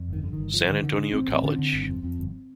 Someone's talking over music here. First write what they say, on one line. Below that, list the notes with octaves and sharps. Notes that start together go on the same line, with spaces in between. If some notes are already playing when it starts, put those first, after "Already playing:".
San Antonio College.
Already playing: F2
G1 D#3
D3
D#3
G1
D3 F3
D3 D#3
D3
D4
D3
A1 C4
A1
C4
D3 D4
C4
D3
G1
F2
F2
G1